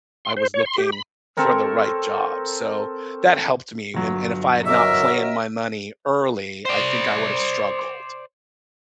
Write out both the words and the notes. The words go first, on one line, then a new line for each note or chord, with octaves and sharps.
I was looking for the right job, so, that helped me, and and if I had not planned my money early, I think I would've struggled,
C6
C5
C#5
C6
G4
B5
C4 A4 A#4 C#5
G1 F#3
F#4 A#4 C#5 D#5 E5 D6 E6
C5 D5